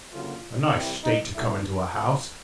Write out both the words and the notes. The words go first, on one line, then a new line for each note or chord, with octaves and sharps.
A nice state to come into a house!
D2 C#3 F#3 A#3 F4
C2 C3 E3 G3 C4
D#4
G2 D3 G3 E4
C#2 C#3 F3 G#3 C4 F4